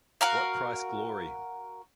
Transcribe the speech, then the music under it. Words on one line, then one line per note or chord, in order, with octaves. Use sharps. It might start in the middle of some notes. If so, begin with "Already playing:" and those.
What Price Glory?
F#4 A#4 F5